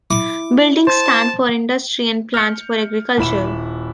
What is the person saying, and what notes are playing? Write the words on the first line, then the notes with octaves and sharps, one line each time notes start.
Buildings stand for industry and plants for agriculture.
E4 D6
C5 A5
F6 G6 C#7
D#1 E4 B5 E7